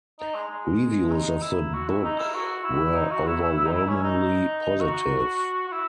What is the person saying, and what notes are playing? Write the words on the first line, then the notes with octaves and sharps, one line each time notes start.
Reviews of the book were overwhelmingly positive.
D#4
G#3
G#3
D#4
E4
F#4
E4
D#4
E4
F#4
E4
D#4
F#4
E4
E4
E4
D#4
E4
C#4
D#4
F#4
F#4
E4